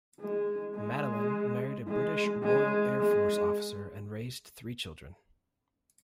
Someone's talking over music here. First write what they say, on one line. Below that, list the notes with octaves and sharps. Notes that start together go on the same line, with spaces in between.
Madeleine married a British Royal Air Force officer and raised three children.
G#3
G#3
G#3
G#3
G#3